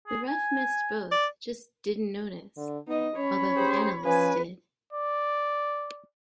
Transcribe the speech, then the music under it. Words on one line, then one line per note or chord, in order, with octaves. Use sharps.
The ref missed both, just "didn't notice", although the analysts did.
G#4
G#5
D5
D3
B3 D#4 D#5
C#4 C#5 B5
G4 G#4 C5
F3 C#4 B4 G#5
D5